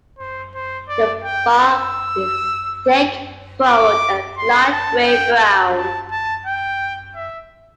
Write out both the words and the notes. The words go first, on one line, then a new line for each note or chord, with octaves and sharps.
The bark is thick, furrowed, and light gray-brown.
C5
C5
D5
G5
E6
D6
C6
A5
G5
A5
A5
A5
G5
E5